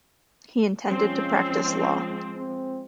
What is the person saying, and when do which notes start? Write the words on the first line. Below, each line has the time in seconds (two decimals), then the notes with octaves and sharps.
He intended to practise law.
0.87 F3 G#3 C4 C#4
2.36 C4